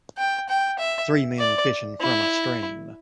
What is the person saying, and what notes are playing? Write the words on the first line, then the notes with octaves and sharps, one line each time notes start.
Three men fishing from a stream.
G5
G5
E5
D5
E4